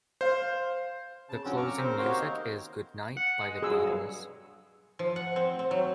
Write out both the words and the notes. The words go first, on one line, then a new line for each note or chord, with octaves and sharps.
The closing music is "Good Night" by The Beatles.
C5 F5
C#3 A5
G2 D3 F3 C4 C#4 F#4
A#5 C#6 D6 E6 F6
C#3 C4 A#4 C5
F#4 G4 A#4 C5 C#5 F5
D#3 A#3 D#4
F#5
G#3
G2 B2 F#3 G#4 E6
F3
F#5
C4
C4
F#3